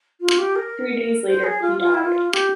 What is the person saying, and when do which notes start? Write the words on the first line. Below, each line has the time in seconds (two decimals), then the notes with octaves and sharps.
Three days later, he died.
0.20 F4
0.38 G4
0.56 A#4
1.26 C5
1.44 G#4
1.61 F4
1.79 F4
1.94 E4
2.05 F4
2.32 G4